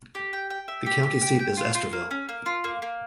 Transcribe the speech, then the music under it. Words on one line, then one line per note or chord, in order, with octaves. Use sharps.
The county seat is Estherville.
G4
G5
G5
E5
G4
G4
G5
G5
F4
F4
A#3
C#4
A#3
F4
A#3
A#3